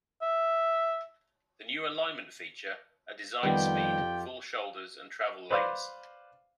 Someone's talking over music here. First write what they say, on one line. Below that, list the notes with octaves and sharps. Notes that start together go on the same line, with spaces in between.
The new alignments feature a design speed, full shoulders, and travel lanes.
E5
F2 D#3 G3 B3 F4 G4 G5
B4 C5 D5 F5